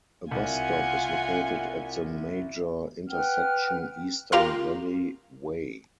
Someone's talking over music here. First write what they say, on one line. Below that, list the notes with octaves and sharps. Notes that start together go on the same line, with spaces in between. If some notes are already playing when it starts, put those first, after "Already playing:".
A bus stop is located at the major intersection Eastern Valley Way.
C2 F4 F#5 G#5
B4 F#5 G5 F6
F4 G4 A#4 F5 C6 F6